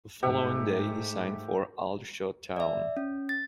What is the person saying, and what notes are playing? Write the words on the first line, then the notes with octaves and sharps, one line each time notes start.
The following day he signed for Aldershot Town.
G#2 A3 G4 E5 F#5
D5 E5
C#4
A6